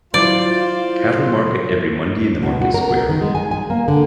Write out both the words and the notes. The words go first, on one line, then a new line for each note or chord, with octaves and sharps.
Cattle market every Monday in the market square.
F#3 E4 F4 C5 D5
B2
F#4
A#4
B3
D#3
G#3
G#5
G#5
A#3
D3